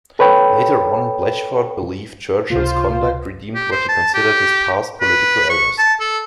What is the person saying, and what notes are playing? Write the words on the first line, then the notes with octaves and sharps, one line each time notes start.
Later on, Blatchford believed Churchill's conduct redeemed what he considered his past political errors.
A4 B4 C#5 G5 B5
C#2 C3 A#3 F4 C5
G4
C5
A5
G4
B4
C#6
A5
A4